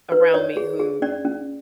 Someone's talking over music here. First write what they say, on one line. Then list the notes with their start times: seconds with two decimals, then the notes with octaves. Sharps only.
around me who
0.12 B4
0.34 C#5 D5
0.57 G#4
0.80 G#4
1.02 C#4 D5
1.25 C#4